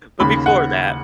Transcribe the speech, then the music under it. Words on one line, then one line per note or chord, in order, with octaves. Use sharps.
but before that,
D#2 C#3 B5
F#5